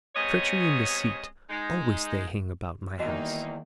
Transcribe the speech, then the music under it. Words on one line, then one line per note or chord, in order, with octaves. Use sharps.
Treachery and deceit--always they hang about my house.
C3 G#3 B3 C#4 C#5 D#5
G#3 D#4
E2 D#3 G3 A#3 D#4 F#4 D#5